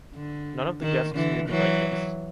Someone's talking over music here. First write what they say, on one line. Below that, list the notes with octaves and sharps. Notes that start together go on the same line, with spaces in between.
None of the guests made the right guess.
D3
D#3
D3 E3
E3 F#3